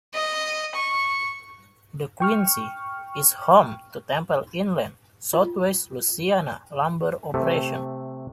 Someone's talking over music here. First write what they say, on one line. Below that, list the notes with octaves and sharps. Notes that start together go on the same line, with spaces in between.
DeQuincy is home to Temple-Inland's Southwest Louisiana Lumber Operation.
D#5
C#6
G5 C#6 F6
F4
C3 A3